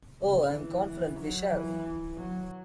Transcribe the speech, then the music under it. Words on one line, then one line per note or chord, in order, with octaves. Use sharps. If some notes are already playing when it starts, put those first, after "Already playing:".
Oh, I am confident we shall.
C#3
E3
F#3
E3
F#3